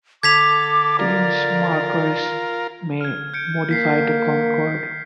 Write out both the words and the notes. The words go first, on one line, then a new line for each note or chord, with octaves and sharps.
Tense markers may modify the concord.
D3 A4 D6 G#6 B6 F7
F4 A#4 D5
F6 G#6
G6 C#7 D7
A#3 B6 C7